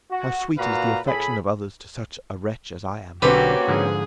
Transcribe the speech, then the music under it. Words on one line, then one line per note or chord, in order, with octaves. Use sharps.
How sweet is the affection of others to such a wretch as I am!
F#4
A#2 F#4 B4 F5 A#5
A2 G#4 A4 B5
B1 D3 A#3 C4 C#4 F#4 G4 B4
G#2 D3 F3 G#4